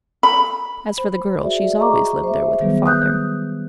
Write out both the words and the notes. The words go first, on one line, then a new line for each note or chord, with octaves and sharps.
As for the girl, she's always lived there with her father.
B5
C5 B5
F#4 G#4 D5 E5
G#4 D#5 A#5 C#6 D6
C5 E5
D#3 F#3 G3 B3 G#4 B4
D#6 F#6 G6